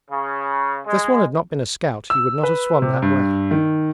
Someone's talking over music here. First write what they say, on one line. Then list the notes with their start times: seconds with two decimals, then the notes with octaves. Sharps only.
If this one had not been a scout he would not have swum that way.
0.11 C#3
0.86 G#3
2.10 E6
2.43 B4
2.82 C3
3.02 G2
3.51 D#3